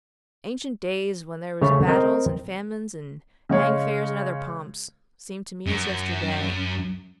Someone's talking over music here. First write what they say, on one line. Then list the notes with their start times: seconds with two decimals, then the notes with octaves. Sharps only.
Ancient days, when there was battles and famines and hang-fairs and other pomps, seem to me as yesterday.
1.61 C#3 A3 C#5
1.88 C4 A#4 D#5 G5
3.49 C#3 G#3 C#5 F5
5.67 F#2